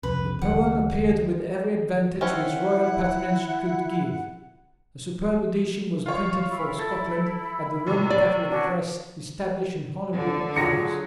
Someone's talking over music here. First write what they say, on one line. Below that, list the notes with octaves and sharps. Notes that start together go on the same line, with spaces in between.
The poem appeared with every advantage which royal patronage could give. A superb edition was printed for Scotland at the Roman Catholic press established in Holyrood House.
C2 F2 C3 B4
C#2 D#3 G3 F#5
C4 C#4 E4 C#5 F#5
F4 C#5
E4 B5
A4 A6
A2 C3 E3
D5
C#4 D4 F#4
D3
F#3 F4 G#4 A#6 C#7